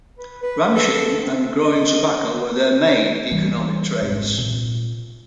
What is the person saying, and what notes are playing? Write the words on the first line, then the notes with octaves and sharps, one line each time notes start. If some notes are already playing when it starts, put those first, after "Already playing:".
Ranching and growing tobacco were their main economic trades.
B4
B4
A4
C4
D#5
E3 G3
G#1 F2
A#2 C4